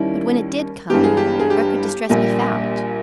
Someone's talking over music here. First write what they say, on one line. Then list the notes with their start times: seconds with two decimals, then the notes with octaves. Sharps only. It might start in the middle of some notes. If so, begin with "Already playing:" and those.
But when it did come, where could distress be found?
Already playing: D#2 D#3 G3 C#4 E4
0.90 G1 G2 E3 G#3 B3 G4
1.04 G#4
1.17 G4
1.39 G#4
1.50 G4
2.09 A#1 A#2 G3 A#3